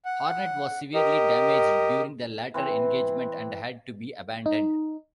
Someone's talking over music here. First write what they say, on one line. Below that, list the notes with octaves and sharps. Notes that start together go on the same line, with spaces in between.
"Hornet" was severely damaged during the latter engagement and had to be abandoned.
F#5
G4 A#4 D#5
E3 C4
D#4